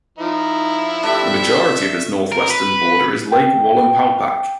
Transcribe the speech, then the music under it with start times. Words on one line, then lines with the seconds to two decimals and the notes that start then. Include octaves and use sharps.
The majority of its northwestern border is Lake Wallenpaupack.
0.18 F3 D#4 E4
1.03 A3 D4 G4 E5
2.32 A#4
2.50 B4
3.32 G5